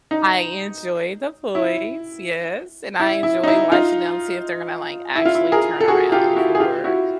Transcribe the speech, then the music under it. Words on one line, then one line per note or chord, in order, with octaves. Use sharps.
I enjoy The Voice, yes, and I enjoy watching them see if they're gonna, like, actually turn around for,
D#4
E4
E4
E4
D#4
E4
D#4 F4
E4
F4
E4
G#4 A#4
A4
F#4 G#4
F4 G4
E4 F#4
G#4
F4 G4
E4 F#4